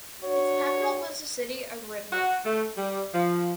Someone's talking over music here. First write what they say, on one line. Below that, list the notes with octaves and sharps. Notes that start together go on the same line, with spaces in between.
Its capital was the city of Rybnik.
D4 F#4 C#5
F#4
A3
G3
F3